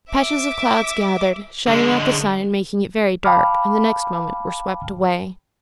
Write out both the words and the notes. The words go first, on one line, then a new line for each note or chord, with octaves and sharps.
Patches of clouds gathered, shutting out the sun and making it very dark, and the next moment were swept away.
E5 D6
D3 G#3
F5 G5 A5 B5 D6 F6